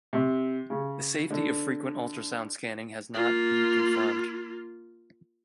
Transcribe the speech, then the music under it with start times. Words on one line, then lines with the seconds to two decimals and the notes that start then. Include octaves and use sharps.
The safety of frequent ultrasound scanning has not be confirmed.
0.13 C3
0.70 C#3
1.30 D3
3.14 A#3 F4